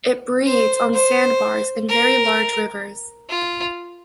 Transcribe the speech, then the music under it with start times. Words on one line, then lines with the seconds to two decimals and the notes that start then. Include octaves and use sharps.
It breeds on sandbars in very large rivers.
0.46 C5
0.93 C5
1.88 A#4
3.29 F4